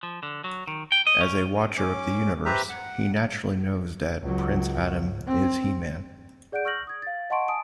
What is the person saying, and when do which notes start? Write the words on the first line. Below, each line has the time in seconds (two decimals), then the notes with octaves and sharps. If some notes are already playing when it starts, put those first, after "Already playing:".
As a watcher of the universe, he naturally knows that Prince Adam is He-Man.
0.03 F3
0.23 D3
0.44 F#3
0.67 D#3
0.92 G5
1.07 D#5
1.21 C#4
1.78 C#4 D6
2.45 G4 B4 C5 E5 A#5
2.70 F#5
4.22 C#2 F#3
5.27 C4
6.52 G#4 D5 F#5 F#6 G6 D7
6.65 C#6 E6 F6 G6 A#6 F#7
6.87 D#6 G#6
7.02 F5 A6
7.30 D#5 F#5 A5 C6 C#6 D7
7.48 G#5 A5 D#6 D7